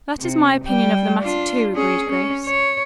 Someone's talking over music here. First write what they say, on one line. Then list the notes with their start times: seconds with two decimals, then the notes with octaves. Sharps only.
"That is my opinion of the matter, too," agreed Grace.
0.19 C3
0.64 G3 G5
1.22 D4 F4
1.74 C#4 G#4
2.09 C#4
2.46 C#5